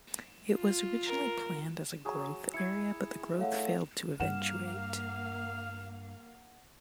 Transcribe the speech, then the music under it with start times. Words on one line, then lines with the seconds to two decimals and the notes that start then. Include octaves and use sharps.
It was originally planned as a growth area, but the growth failed to eventuate.
0.55 F4
1.07 A#4
2.05 F#3 G#4
2.54 E4 G#6 C#7
3.39 A3 C#5 F5 F#5
4.20 G2 A#3 F5 F#5 F6 E7